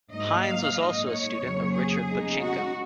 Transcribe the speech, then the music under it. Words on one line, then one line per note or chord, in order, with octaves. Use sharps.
Hines was also a student of Richard Pochinko.
G#2 F#3 A#3 D#4 D#5
F5
A#2 G#3 D#4 D#5
C#5
F2 C#3 F#3 A#3
G#4
C#3 G#3 B3 D#4
F#4